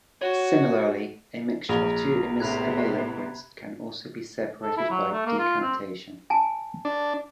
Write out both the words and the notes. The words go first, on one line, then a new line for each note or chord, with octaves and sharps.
Similarly a mixture of two immiscible liquids can also be separated by decantation.
F#4 C#5
A#1 A#5 B5 F7
A2 C3 B3 B5 F#6 G#6
A4
E4
F#3
A3
A#3
F4
C4
G#5 A5
D4